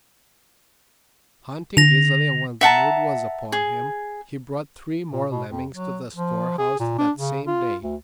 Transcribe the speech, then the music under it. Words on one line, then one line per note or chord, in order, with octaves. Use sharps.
Hunting easily and when the mood was upon him, he brought three more lemmings to the storehouse that same day.
D3 A#6 F7
E5 F#5 A5 A#5
G#4
A#2
B2
F2
F#3
F3
G#4
A#2
D4
C#3
F4
D2